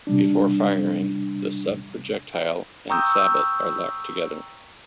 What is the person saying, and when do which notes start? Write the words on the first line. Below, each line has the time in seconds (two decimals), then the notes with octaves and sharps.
Before firing, the sub-projectile and sabot are locked together.
0.07 C3 G3 D4
2.89 G5 A#5 C#6 D#6 E6 G6